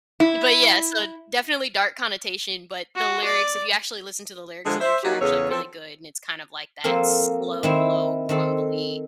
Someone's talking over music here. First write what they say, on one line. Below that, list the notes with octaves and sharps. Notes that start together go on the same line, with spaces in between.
but yeah, so, definitely dark connotation, but the lyrics, if you actually listen to the lyrics, the lyrics are actually really good, and it's kind of like that slow, low, grumbly,
E4
F#4
D5
D3 F3 G#3
C5 E5
F#3 A#3 D#4 F#4 G4
E2 C#3 A4 B4 C#5
F3 C4 A4
F3 A#3 C4 A4 A#4
D#3 C4 E4
D#3 C4 A4